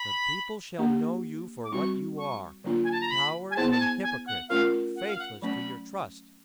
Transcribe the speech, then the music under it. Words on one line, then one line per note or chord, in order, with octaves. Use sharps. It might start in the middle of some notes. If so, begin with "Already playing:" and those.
The people shall know you for what you are--cowards and hypocrites, faithless to your trust!
Already playing: B5
A#3 D4 G4
D6
G3 C4 D#4 F#4 C#6
C#6
D3 F#3 A#3 D4 F4
G#5
A5
A#5
B5
G#5
B3 E4 G#4 C5 A5
A5
G#5
G#5
F#5
A3 C#4 F4 A#4 F5
F#5
F5
F#5
F#3 A3 C#4 B5